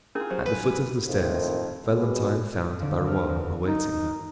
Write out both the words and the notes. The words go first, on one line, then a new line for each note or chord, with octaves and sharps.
At the foot of the stairs, Valentine found Barrois awaiting her.
C#4 E4 F4 G#4 A#4
F#3 C#4 G4 C5
B4
A#1 F2 A2 D#3 F3 A3
B2 G#3
D#2 D3 D5
C4 A4 F6
E2
D#4